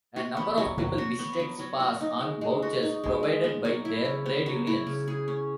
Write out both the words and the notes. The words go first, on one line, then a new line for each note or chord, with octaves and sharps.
A number of people visited spas on vouchers provided by their trade unions.
F#4
B3
F#3
F#3
F#4
B3
F#3
F#3
F#4
D#4
G#3
G#3
F#4
D#4
G#3
G#3
B3
F#3
E4
C#3
B3
F#3
E4
C#3
G#4
C#4